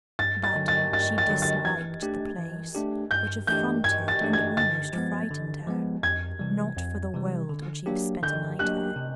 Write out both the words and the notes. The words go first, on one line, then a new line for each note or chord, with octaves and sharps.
But she disliked the place, which affronted and almost frightened her; not for the world would she have spent a night there.
G2 A6
A6
D3 F#3
A6
G2 A6
A6
D3 F#3
A6
E3 G#6
A3 D4 G4
E3
A3 D4 G4
G2 G6
E3 A3 D4 G4 G6
G2 G#6
A6
E3 A3 D4 G4
G#6
D3 A6
F3 G#3 B3
D3
F3 G#3 B3
F2 G#6
C3 E3 G3
F2
C3 E3 G3
D3
F#3 A#3 D4 G4
D3 G6
F#3 A#3 D4 G4 F#6
C3